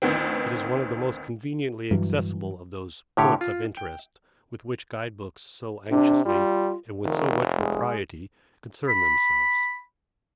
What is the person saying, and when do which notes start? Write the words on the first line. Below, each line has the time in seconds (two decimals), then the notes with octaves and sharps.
It is one of the most conveniently accessible of those "points of interest" with which guide-books so anxiously, and with so much propriety, concern themselves.
0.02 A1 D2 D#3 B3 C4
1.91 G2 E3 F#3
3.17 A2 D3 G4 C#5
3.41 F4
3.77 G5
5.90 C3 D4
6.25 G3 F4
7.04 F1 D#3
7.57 G#3
8.89 B5